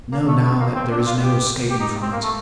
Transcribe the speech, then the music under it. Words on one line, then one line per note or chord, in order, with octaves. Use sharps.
I know now that there is no escaping from it.
A#3
A3
A3
A#3
C4
D4
F4
G4
G4
D#4
C4
A#3
A3